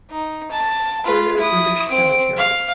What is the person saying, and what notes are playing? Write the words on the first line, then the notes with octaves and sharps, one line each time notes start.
Corner British Cemetery.
D#4
A5
F4 B4
E4 D#6
C4 D7
F5